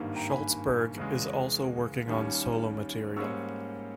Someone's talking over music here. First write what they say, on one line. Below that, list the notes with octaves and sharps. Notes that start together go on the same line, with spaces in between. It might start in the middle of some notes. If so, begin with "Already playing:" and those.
Schultzberg is also working on solo material.
Already playing: G#1 G2 D#3 A#3
G5 A#5
G#5 B5
E2 C#3 G#3
D#2 D#3 G3 C#4
G#2 G3 A#3 C#4 C#6 E6